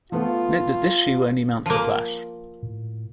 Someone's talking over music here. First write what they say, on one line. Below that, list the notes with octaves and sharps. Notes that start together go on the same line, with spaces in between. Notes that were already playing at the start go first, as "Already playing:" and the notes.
Note that this shoe only mounts the flash.
F3 A3 B3 F4
F3 A#3
A2